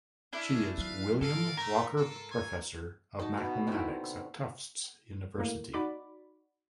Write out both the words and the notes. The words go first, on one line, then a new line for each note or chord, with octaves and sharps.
She is William Walker Professor of Mathematics at Tufts University.
G#3 C#4 D4 E4 F6
F#3 B4 F5
G#2 A4 A#4 D5 F5
A3 A#4
F4 A4
A4 C#5 G#5
D#4 F#4 A5
B2 B3 E5
D3 C4 D#4 E4
A2 G3 A#3
D#4 F#4 D5 B5 D6